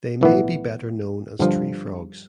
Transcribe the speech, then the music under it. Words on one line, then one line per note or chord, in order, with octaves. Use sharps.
They may be better known as tree frogs.
B1 A2 E3 B3
G1 G2 D3 F3